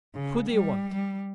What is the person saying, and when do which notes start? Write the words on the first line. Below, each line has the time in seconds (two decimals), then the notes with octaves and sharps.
"Who do you want?"
0.14 C#3
0.50 G3
0.94 G3